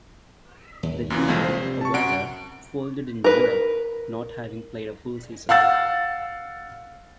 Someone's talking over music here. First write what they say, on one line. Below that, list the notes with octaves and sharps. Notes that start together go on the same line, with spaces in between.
The league, however, folded in July, not having played a full season.
D#2
F#2 A#2 E3
A1 F2 C3 F3 G#3 C4
G2 C3 C5
A5 C#6
F#2 F#5 D7
A#4 B4
F5 F#5 E6 A6